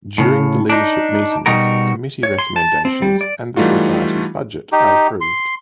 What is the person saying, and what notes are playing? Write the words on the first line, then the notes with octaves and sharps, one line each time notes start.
During the Leadership Meetings committee recommendations and the society's budget are approved.
A2 C#3
D4 D#4
B2 G3 D#4 F#4 A#4
C#5
C6
A5
C4
G3
D5
E3 G3 A3 D#4 F4 F#4
D#4 G4
C6